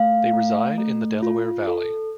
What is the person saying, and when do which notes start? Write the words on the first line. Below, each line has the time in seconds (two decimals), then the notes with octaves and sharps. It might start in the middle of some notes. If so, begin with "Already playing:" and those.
They reside in the Delaware Valley.
Already playing: A3 F5
0.33 A3
0.78 A3
1.23 F4
1.67 A4